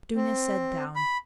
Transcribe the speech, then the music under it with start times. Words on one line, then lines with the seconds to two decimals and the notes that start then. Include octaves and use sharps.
Dounia sat down.
0.16 C4
0.96 B5